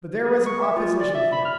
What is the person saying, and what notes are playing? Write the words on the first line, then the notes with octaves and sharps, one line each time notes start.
But there was an opposition here.
G#4
C#6
E5
F4
D5
E5
B5
F6